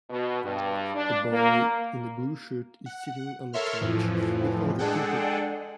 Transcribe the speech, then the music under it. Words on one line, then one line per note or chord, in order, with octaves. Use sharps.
A boy in a blue shirt is sitting on a couch with other people.
B2
G2
D4
A#3
F#5
A4 A#4 C#5 E5 C6 F6
F2 A2 E3 F3
G#3 D4 G#4 A4 F#5 G5